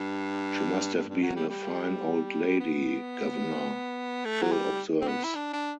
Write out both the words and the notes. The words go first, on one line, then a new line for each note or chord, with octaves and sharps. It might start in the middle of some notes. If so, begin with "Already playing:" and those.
"She must have been a fine old lady, guv'nor," Phil observes.
Already playing: G2
G2
G2
F#3
G3
G3
B3
A3
F#3
G3
C4
B3
E4
D4
D4